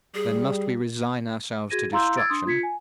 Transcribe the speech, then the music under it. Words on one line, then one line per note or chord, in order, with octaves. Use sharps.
"Then must we resign ourselves to destruction?"
G3 G#4
F#4 G#4 G#6 A#6 D#7
E4 F5 A#5 C6 E6 G6
E6 G#6 A6 D7
D4 C6 D#6
F4 G#6 B6 C#7
G#5